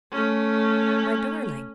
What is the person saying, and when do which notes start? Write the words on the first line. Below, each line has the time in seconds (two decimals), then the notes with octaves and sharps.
"My darling!"
0.12 A3 C#4